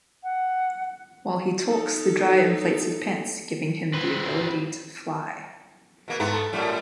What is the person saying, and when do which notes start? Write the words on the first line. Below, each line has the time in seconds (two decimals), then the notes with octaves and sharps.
While he talks, the dryer inflates his pants, giving him the ability to fly.
0.24 F#5
1.64 D#4 A4
3.94 C4 B4
6.08 B2 A#3
6.20 G#2 A3 B3 B4
6.34 A4
6.53 F#2 A2 G3